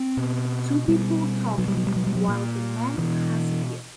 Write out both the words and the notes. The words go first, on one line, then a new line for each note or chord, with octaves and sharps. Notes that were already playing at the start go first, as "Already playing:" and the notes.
Two people talking, while the man has a beer.
Already playing: C4
B2
B2 G3
B2 F#3
G3
F#3
G3
F#3
G3
F#3
A#2
B2 E3